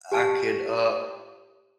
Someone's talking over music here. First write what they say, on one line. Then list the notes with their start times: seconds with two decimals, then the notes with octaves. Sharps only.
I could, uh,
0.12 G4 G#5 A5 C#6